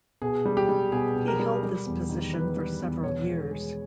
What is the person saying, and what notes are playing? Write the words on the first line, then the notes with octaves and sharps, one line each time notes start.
He held this position for several years.
B2 G#4
G3
G4
G3
B2 G#4
B2
A#4
G3
G3
E2
D#3
E2 B4
G3
E2
B2 C#5
G#3
G#3